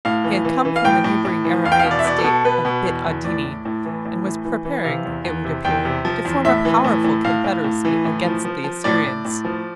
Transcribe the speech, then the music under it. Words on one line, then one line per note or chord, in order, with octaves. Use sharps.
He had come from the neighbouring Aramaean State of Bit-Adini, and was preparing, it would appear, to form a powerful confederacy against the Assyrians.
A2 F5
E3
E3
E3
F5
A2 G5
A2
A2
E3
E2 F5
G5
F5
B2
D5
E5
B2 D5
A4
B2
B2 B4
B2
E2
E2
A2 D5
A2
A2
E3
A2
E3
E3
E3
C3 F5
E2
E2
C3
E2 G5
C3
F3
E2
A2 E5
E3
A2
A2
A2 F5
A2
A2
E3
A2
F3
F3
F3
A2 D5
A2
A2
F3